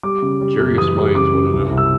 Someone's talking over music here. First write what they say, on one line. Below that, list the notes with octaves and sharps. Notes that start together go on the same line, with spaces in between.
curious minds want to know.
G3 D6
C#3
G3
F#2
E3 D#6
G3
C#3 D6
F#2
C2
C2
E6